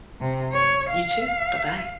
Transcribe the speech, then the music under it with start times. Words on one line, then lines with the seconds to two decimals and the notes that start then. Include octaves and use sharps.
You too. Bye-bye.
0.20 C3
0.52 C#5
0.91 F5